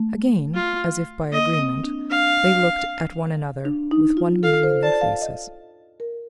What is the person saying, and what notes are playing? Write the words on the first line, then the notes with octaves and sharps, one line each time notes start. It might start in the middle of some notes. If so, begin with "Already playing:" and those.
Again, as if by agreement, they looked at one another with one meaning in their faces.
Already playing: A3
F4
A#3 D#5
C4
D4
D4 F5
D4
D#4
F4
A4 F5
C5
D5 A5
F5
D#5
A#4